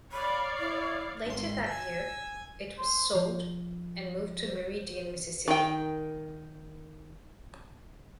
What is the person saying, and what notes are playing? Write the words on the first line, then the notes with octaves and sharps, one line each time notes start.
Later that year, it was sold and moved to Meridian, Mississippi.
C#5 D5 F5 B5
E4
G#1 C6
G#5 E6
C5
F3
C5
D#3 G5